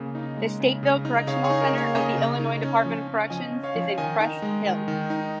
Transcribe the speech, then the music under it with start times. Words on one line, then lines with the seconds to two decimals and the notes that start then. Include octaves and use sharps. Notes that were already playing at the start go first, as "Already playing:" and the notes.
The Stateville Correctional Center of the Illinois Department of Corrections is in Crest Hill.
Already playing: C#3 A#3
0.15 D#4
0.37 G#3
0.60 C#3
0.83 C#3
1.05 D#4
1.27 C#3 C#5 F5
1.44 G#4 C#5
1.50 D#4
1.61 A#4
1.73 A#3 C#5 F5
1.95 C#3 D#5 G#5
2.18 C#3
2.39 D#4
2.63 C#4
2.85 F3
3.08 C#4
3.30 F3 D#5 G#5
3.52 C#4
3.63 C#5 F5
3.75 F3
3.98 D#3 D#5 G#5
4.20 D#4
4.42 G#3
4.65 D#3
4.88 D#3
5.10 D#4